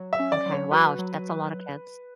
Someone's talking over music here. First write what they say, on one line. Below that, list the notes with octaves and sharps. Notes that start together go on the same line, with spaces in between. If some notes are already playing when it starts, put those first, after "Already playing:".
Okay. Wow. Sh that's a lotta kids.
Already playing: F#3
E5
C#4
D5
F#3
C#5
F#4 B4
F#3